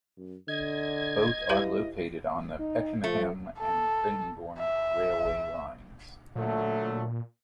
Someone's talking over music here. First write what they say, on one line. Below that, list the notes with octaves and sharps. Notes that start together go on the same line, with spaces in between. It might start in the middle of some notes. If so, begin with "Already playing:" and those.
Both are located on the Pakenham and Cranbourne railway lines.
F#2
D3 D#5 G#6
E4 G4 B4 F5
D#4
F3 A3
A4
E5
A#2 D3 F#3 A3